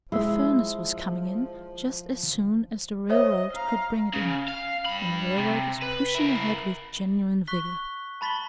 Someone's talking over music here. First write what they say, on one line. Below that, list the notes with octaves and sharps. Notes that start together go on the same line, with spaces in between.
A furnace was coming in just as soon as the railroad could bring it in, and the railroad was pushing ahead with genuine vigor.
F3 G#3 E4 E5
C5 C#5 D#5 E5
F5 A#5
C#3
F5
G2 B5
C3
B4
E4 A#4
C#6 F#6 B6 G7
A5 B5 A6 B6 F#7 G7